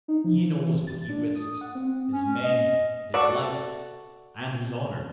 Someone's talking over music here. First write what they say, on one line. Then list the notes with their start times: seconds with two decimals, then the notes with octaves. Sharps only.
He knows what he risks; his men, his life, and his honor.
0.08 D#4
0.24 F3
0.51 E3
0.87 A6
1.09 D4
1.35 D#6
1.61 F#5
1.75 C4
2.13 C#4
2.43 D#5
3.14 F#4 A4 D5